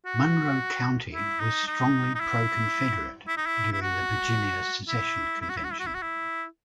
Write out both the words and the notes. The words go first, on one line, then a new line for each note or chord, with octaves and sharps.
Monroe County was strongly pro-Confederate during the Virginia Secession Convention.
F#4
E4
D#4
D#4
D#4
E4
E4
D#4
E4
E4
F#4
E4
E4
F#4
E4
F#4
E4
F#4
E4
F#4
E4